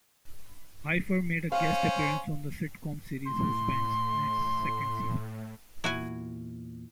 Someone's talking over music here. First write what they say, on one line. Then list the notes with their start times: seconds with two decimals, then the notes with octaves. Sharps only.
Phifer made a guest appearance on the sitcom series "Husbands" in its second season.
1.52 C#4 C5 F5
3.26 A2 C6
5.84 E2 A#2 E4 F#4 G#5